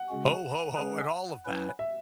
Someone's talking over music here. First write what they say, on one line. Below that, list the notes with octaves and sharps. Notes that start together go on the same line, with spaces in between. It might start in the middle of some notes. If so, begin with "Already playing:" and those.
"Ho! Ho! Ho!" and all of that,
Already playing: F#5
C#3 G#3 C#4 F#4
G#3 C#4 G#4 B4
F#3 C#4 E4 B4
E5